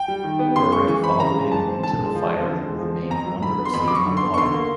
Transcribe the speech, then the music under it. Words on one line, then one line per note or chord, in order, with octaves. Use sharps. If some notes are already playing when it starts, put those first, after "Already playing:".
Barek followed him into the fire and remained wondrously unharmed.
Already playing: G5
G3
D#3
B3
C#3 C6
G#3 C#6
E3 C#6
C4 B5
C#3 A#5
G#3
E3 A5
C4
D3 A5
G#3
F3
C4
D3
G#3
F3
C4
F2 A#5
F#3
D3 B5
B3
C6
F2 B5
F#3 D6
C#6
D3
C6
B3
C#6
D3 C6
A#3